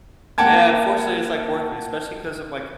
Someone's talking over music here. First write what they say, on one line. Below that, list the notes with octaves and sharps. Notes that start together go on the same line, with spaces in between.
Yeah, unfortunately, it's, like, working, especially 'cause of, like,
A#3 F#5 G5 A5 G#6